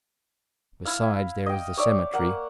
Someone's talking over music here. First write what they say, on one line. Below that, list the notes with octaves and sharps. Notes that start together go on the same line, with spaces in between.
Besides, there is the cemetery.
E4 F5
D#5 G5
C#5 D5 E5
A#3 F#5